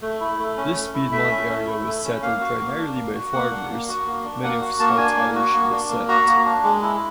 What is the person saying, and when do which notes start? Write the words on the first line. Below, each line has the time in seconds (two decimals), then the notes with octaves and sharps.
This Piedmont area was settled primarily by farmers, many of Scots-Irish descent.
0.02 A3
0.20 E4
0.39 A3
0.57 C#4
0.76 A3
0.94 E4
1.12 A3 E5
1.31 C#4
1.49 A3
1.67 E4
1.86 A3
2.04 C#4
2.22 A#3 F5
2.41 F#4
2.60 A#3
2.78 D4
2.96 A#3
3.14 F#4
3.33 A#3 F#5
3.51 D4
3.69 A#3
3.88 F#4
4.06 A#3
4.24 D4
4.43 A#3 F#5
4.61 F#4
4.80 A#3 A5
4.98 D4 G#5
5.17 A#3
5.35 F#4
5.54 A#3
5.72 D4
5.90 A#3
6.08 F#4 A#5
6.27 A#3
6.45 D4
6.64 G#3
6.82 E4